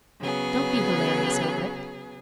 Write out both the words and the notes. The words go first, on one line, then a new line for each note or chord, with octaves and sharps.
'Don't be hilarious over it.'
C#3 F#3 B3 G#4